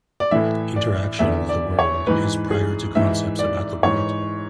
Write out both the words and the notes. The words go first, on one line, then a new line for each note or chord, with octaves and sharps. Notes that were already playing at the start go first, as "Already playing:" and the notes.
Interaction with the world is prior to concepts about the world.
D5
A2 E3 E5
D5
E2 D3 E5
D5
C#5
G#2 E3 B4
G#4
G#2 E3 E5
D5
G#2 E3 C#5